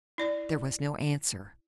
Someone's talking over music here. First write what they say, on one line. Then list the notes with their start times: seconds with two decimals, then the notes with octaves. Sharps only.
There was no answer.
0.18 E4 D5